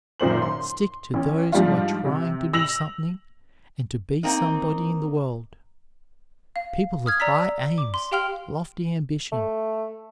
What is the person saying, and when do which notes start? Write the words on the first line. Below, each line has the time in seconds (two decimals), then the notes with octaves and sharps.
Stick to those who are trying to do something and to be somebody in the world,--people of high aims, lofty ambition.
0.20 G#1 F#2 A#2 C5 F#7
0.42 C6
1.14 A1 C#4
1.52 G#2 F3 G3 D4 F4
2.05 C3
2.53 E6 A#6 F7 F#7
4.23 A#3 C4 D#4
6.56 F5
7.06 D#6 F6 G#6
7.20 D5 A#5 E6 B6
7.78 D6
7.94 C6
8.11 G4 F5 G5 C6 F6 F7
9.32 A3